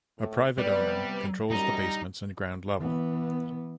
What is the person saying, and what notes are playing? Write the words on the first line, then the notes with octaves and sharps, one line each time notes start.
A private owner controls the basements and ground level.
A2
C3 G3 B3 B4 D5
F#2 G3 D#4 A#5
E3 B3